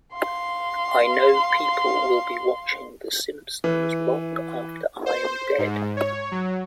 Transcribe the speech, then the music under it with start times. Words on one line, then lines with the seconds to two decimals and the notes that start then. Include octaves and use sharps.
I know people will be watching "The Simpsons" long after I'm dead.
0.13 F5 C6
3.64 E3
5.06 C5
5.58 G#2
5.97 C#5
6.32 F#3